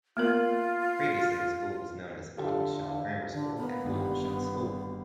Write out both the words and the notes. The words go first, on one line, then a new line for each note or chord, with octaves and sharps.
Previously the school was known as Audenshaw Grammar School and Audenshaw School.
A#3 B3 F4 A#4
D3 F4 G4 A4
D3
A#3 B3
G1 D#3 G3